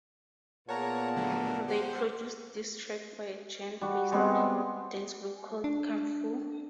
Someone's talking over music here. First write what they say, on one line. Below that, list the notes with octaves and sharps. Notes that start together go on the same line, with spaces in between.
They produced this track for a Ghent-based dancegroup called Kung Fu.
A#2 B3 G#4 A#4 C#5 F#5 A5 A#5
D3 F#3 A3
G4 C5 F#5
G3 F#4
G3 G#3 B3 C4
D4